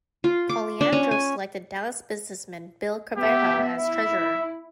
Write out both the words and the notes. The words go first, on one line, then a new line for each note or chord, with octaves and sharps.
Colyandro selected Dallas businessman Bill Ceverha as treasurer.
F4
D6
D4
C#4
G#5
B3 G4 E5
E4 E5